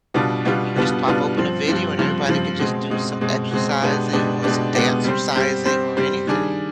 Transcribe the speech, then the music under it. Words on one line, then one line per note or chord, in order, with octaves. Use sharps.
you can just pop open a video and everybody could just do some exercising or some dancercising or anything.
B2 G3 B3 D4 F4
B2 G3 B3 D4 F4
B2 G3 B3 D4 F4
B2 G3 B3 D4 F4
G2 F3 C4
G2 F3 C4
G2 F3 C4
G2 F3 C4
B2 G#3 C4
B2 G#3 C4
B2 G#3 C4
B2 G#3 C4
B2 G#3 B3 D4 G4
B2 G#3 B3 D4 G4
B2 G#3 B3 D4 G4
B2 G#3 B3 D4 G4
G3 C4 G4 C5
G3 C4 G4 C5
G3 C4 G4 C5
G3 C4 G4 C5
D#3 G3 D4 G#4